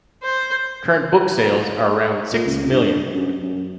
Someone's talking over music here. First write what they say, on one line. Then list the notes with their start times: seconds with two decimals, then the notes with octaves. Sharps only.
Current books sales are around six million.
0.23 C5
2.32 A#2
2.46 C#2
2.71 G2
3.14 F#2
3.43 F#2